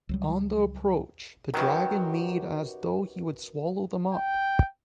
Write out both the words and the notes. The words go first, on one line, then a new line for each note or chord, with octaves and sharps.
On the approach, the dragon made as though he would swallow them up.
C#2 F#3 G3
F#2 D#3 F#3 F#4 G4 A#4 B4
G5